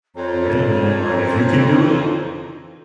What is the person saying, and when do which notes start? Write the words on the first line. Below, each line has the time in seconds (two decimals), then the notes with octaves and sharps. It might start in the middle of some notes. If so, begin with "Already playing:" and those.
Yeah, man. Like, if you can do it
0.16 F2 C#5 D5 A#5